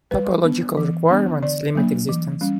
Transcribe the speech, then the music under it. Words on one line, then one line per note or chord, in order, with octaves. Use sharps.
Topological requirements limit existence.
G3 B4
B3 D4
E3
B3 D4
D3 D5
F#3 A#3 D4
E3
G3 C#4